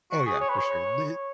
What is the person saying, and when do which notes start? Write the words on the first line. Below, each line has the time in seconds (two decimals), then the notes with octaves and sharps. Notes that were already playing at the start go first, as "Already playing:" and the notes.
Oh, yeah, for sure. The
0.11 F#4
0.26 G#4
0.40 C#5
0.49 B4
0.58 C#5